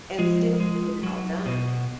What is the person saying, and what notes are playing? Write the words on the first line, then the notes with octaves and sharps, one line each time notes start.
and still get it all done.
F3 G#3
G#3
F#3
B2